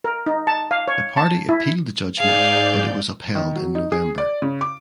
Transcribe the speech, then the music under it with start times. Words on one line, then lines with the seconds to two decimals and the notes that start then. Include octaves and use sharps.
The party appealed the judgement but it was upheld in November.
0.04 A#4
0.26 D#4
0.47 A5
0.71 F5
0.88 C#5
1.17 A5
1.49 E4
2.19 G#2 G#4 D5 F5 G6
3.35 D#3
3.56 F#3
3.75 D#4
3.92 G#4
4.18 D5
4.42 C#3
4.61 D6